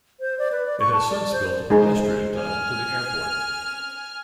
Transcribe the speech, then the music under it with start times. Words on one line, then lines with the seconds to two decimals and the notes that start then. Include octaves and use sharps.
It has since built a pedestrian tunnel to the airport.
0.20 C5
0.39 D5
0.52 B4
0.66 D5
0.80 C#6
0.93 A5
1.10 D5
1.32 C5
1.70 G#3 D#4 G#4 C5
2.36 G#5 F6